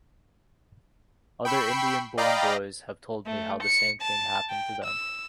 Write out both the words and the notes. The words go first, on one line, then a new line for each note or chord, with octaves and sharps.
Other Indian-born boys have told me how the same thing happened to them.
G5 B5 C#6 E6 C7
D5 D#5 F5 G5 A#5 B5
A3
C#7
A5
G5
E6